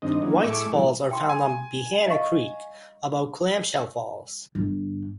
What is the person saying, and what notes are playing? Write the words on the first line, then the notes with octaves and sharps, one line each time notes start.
Whites Falls are found on Behana Creek, above Clamshell Falls.
G2 D#3 C4 D4 D#5
E3 F#3 A#3 C#4 D4
A2 A3 G#4 E5 C#6 D6
B2 E3 F#3 G3 A3
G5 C6 D6
G#5
D#5 F5 C#6
G1